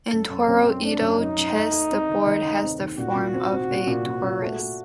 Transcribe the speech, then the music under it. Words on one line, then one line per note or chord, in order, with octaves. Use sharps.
In Toroidal chess the board has the form of a torus.
F#2 A4
F#2
F#2 C4
F#2
C4 D4
F#2
F#2 D#4
F#2
A3
A3
C4
D#3
D#2
D#3
C4
D#2
A#2 F#4
A#2
C4
C4
A#2
A#2
A#2
A#2
A3
A3